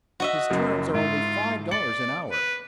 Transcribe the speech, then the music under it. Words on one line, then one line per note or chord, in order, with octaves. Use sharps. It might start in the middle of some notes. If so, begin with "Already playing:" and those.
His terms are only five dollars an hour.
F#4 D#5 E5
F#1 F#2
G#2 E4 F4
D5 A6 C#7 F#7
B4